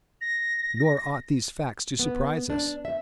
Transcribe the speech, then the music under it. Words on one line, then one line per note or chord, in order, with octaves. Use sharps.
Nor ought these facts to surprise us.
A#6
B3
D4
E5